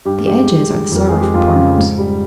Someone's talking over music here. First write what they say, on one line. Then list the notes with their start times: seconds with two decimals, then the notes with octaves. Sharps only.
'The edges are the sorrowful parts.'
0.05 G2 G4
0.27 G#3 G4
0.49 G2
0.70 D#3
0.92 F2 A#4
1.09 G#3 G#4
1.21 G4
1.34 F2 F4
1.55 C#3
1.77 G#2
1.98 G3